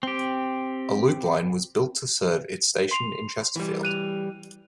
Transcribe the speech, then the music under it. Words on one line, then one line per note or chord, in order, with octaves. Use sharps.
A loop line was built to serve its station in Chesterfield.
C4 G4
C6 C7 F7
E3 G3
F#6 D#7 F7